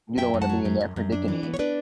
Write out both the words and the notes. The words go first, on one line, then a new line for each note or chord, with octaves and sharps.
You don't wanna be in that predicament.
F#2 E5 G5
F#2
F#5 A5
F#3
F#2
F#2
F#2
D4
E3
B3
C#5
D4 B4 D5